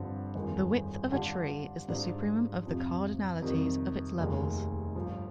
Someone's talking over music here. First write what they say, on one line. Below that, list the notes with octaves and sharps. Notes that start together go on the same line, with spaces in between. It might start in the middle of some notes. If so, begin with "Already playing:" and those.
The width of a tree is the supremum of the cardinalities of its levels.
Already playing: G1 G2 D3 F3 C4
G1 F2 D#3 G#3 C4
D3 G3 D4 F4
G#2 G3 D4 F4
F2 C3 F3
F2 C3 D#3 G3
F1 D#2 D#3 G#3
G1 G2 F3